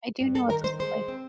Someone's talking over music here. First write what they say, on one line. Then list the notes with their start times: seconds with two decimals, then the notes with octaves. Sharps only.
I do know what those look like.
0.20 G2
0.35 A4
0.50 D#3 A#4
0.64 C5
0.79 G#3 C5
1.08 C4